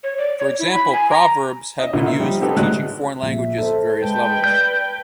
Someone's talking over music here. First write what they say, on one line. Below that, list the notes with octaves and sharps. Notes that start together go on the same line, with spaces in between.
For example, proverbs have been used for teaching foreign languages at various levels.
C#5
D5
C#5
E4
B5
G#5
A#5
D#5 E5
A#2 D3 B3 E4 F4
E5
F3 G3 D#4
C4 D#4 G4 A4 B4
D2 A2 F#3 G#3 D5 F#6
A#1 E5
A4 C5
G#3 B4 G5 A5
D5 G6